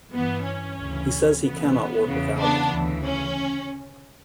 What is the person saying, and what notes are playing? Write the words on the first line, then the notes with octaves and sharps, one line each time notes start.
He says he cannot work without it.
G2 E3 B3
C#4
D2 C#3 E3
D2 C#3 E3 B3
E2 C#3 E3
B3 D4
D2 C#3 E3
C#4